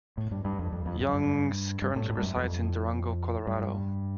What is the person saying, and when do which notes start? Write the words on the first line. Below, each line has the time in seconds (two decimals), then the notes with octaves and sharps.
Youngs currently resides in Durango, Colorado.
0.18 A2
0.32 G2
0.45 G2
0.59 F2
0.72 F2
0.86 F2
1.01 F#2
1.14 G2
1.82 G2
1.96 A2
2.10 A2
2.17 G2
2.23 F#2
2.37 F2
3.47 G2